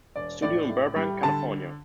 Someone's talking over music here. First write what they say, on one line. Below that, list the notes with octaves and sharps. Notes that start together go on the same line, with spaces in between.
Studio in Burbank, California.
E1 D5
A2 D5
A2
G3
D3 A5